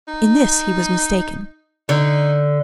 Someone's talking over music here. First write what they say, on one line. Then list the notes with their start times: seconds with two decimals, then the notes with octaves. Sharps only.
In this he was mistaken.
0.07 D#4
1.89 D3 D#4